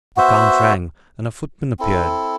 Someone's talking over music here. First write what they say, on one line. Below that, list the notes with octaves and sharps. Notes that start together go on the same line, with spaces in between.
The count rang, and a footman appeared.
B3 F#4 C5 E5
C4 E4 A4